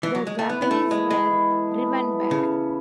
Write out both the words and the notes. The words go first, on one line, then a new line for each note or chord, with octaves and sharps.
The Japanese were driven back.
E3
F#3
G#3
A3
E3 B3
B3
A3 A4
G#3 B3
G#3 B3
E3
A4
B3
E3
E4
C#3 A4
A4